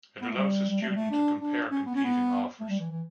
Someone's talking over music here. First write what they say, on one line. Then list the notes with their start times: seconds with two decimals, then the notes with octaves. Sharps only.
It allows a student to compare competing offers.
0.21 B3
0.29 A3
0.36 G3
0.69 G3
0.81 A3
0.89 G3
0.95 A3
1.10 D4
1.40 D4
1.70 C#4
1.86 B3
1.95 C#4
2.03 B3
2.60 A3
2.69 G3
2.80 E3
2.90 E3